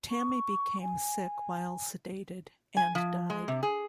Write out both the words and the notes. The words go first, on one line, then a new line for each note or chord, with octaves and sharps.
Tammy became sick while sedated and died.
C#6
G#5
G#5
F3
G#3
C3
G#4